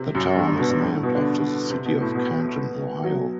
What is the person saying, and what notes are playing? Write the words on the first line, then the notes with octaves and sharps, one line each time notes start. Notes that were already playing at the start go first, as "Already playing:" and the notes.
The town is named after the city of Canton, Ohio.
Already playing: C3
F#2
G2
G2
B2
G2
G2
A2
B2
D3
C3
B2
A2
B2
F#3